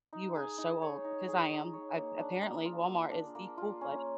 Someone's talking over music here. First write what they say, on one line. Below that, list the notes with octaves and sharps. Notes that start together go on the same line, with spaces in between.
you are so old," 'cause I am. A Apparently, Walmart is the cool place.
D#4
G#4
D#4
C#5
D#4
G#4
D#4
C#5
A#3
D4
A#3
F4
A#3
D4
A#3
F4
C#4